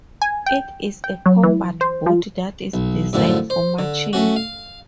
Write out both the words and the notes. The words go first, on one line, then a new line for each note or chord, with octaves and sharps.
It is a combat boot that is designed for marching.
G#5
G5
G5
F#3
E3
C5
F3
B1
F#2 A2 D3 F3
C5
D3
A3 C#4 F#4
F5